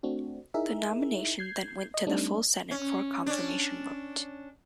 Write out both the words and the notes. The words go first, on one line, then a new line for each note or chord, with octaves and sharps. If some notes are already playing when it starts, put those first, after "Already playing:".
The nomination then went to the full Senate for a confirmation vote.
A3 C4 D4 F#4
D#4 E4 G#4 A#4 E5
G6 G#6 C7
D#5
G3 A3 C4 D4 D#4
C#4
C#4 D4